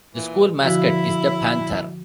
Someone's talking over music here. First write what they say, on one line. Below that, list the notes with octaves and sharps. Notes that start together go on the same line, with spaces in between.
The school mascot is the panther.
A#2 E3
D3 F3 E4 F#4